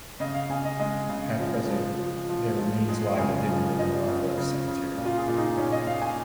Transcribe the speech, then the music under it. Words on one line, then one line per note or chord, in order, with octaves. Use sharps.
At present, their remains lie within the Manila North Cemetery.
C#3 D#5
F5
C#3 G#5
D#5
G#3 D#5
C#3
F3
F3
F3
F3
F3
G#3
C#3 G#5
F3
F3 D#5
C#3
C#3
C#3
A#2
F4
G#4
A#2
D#4
A#2 C#4
D#5
A#2 F5
G#5